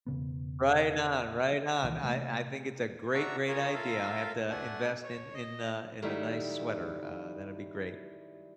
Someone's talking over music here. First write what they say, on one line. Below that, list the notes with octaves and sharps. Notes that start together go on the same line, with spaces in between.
Right on, right on. I I think it's a great, great idea. I'll have to invest in in a in a nice sweater, uh, that'd be great.
E1 C#3 B3
C2 D#3 E3
C3 A3 A#3
D4 F#4 E5 A#5 C#6
F4 G#4 A#4 C#5
F4 A4 A#4 E5 F5
A3 D4 F#5 G#5
C#5
D#5
D#3 F#3 G3 A3 D#4 E4